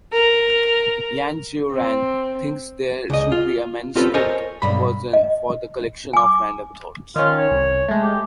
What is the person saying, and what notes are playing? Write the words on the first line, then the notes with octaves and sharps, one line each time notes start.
Yan Xiaoran thinks there should be a “manuscript” version for the Collection of Random Thoughts.
A#4
C4
C#2 D#5
F4
C4 C#4 F4 G4 A4 B4
A4 A#4 C5 C#5 D#5 G#5
B1 G2 B5
D#5
G#5 D6
D#3 C#4 F4
C#5
C2
G#3 A3
G4